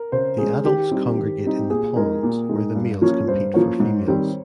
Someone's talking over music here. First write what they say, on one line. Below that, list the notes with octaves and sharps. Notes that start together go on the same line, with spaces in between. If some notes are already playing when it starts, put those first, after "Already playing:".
The adults congregate in the ponds, where the males compete for females.
Already playing: A#4
C#3 C5
G#3 C#4 G#4
D#3 G4
G3 C4 D#4
D#3
G3 C4 D#4
A#2 G#4
G#3 D#4 A#4
A#2
G#3 D#4
G2
F3 A#3 C#4
G2 C5
F3 A#3 C#4 C#5
G#2
D#3 G3 C4